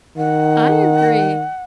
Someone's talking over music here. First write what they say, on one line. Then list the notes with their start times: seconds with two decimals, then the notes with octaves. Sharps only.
I agree.
0.17 D#3 F#5